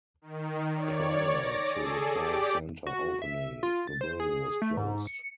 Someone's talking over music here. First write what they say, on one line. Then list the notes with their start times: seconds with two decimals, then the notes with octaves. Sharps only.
Prior to the Ford center opening, the building was closed.
0.22 D#3
0.71 C#5 D5
1.31 D6 A6 A#6
1.71 G#4 A4
2.13 G4 D5 D6
2.87 F#4
3.22 E5
3.63 F4
3.87 A6
4.01 C5
4.20 G#4
4.62 A3
4.77 G#2
5.07 C#7